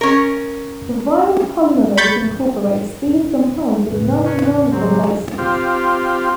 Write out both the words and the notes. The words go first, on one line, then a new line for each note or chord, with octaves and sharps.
The viral polymerase incorporates these compounds with non-canonical bases.
C#4 A#4
B5 C#6 G6 A6
E2 A2 C#3 B4
C#4 D4
F#3 C4 G4
C4 F4 G4